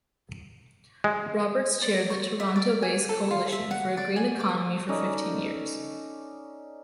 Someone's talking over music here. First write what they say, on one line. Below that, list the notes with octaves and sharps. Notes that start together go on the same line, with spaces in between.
Roberts chaired the Toronto-based 'Coalition for a Green Economy for fifteen years.
G#3
D5
C#6
E5
D5
G#5
A4
F4
E5
F#5
D5
G#5
D6
C#4 D#4 A4 D5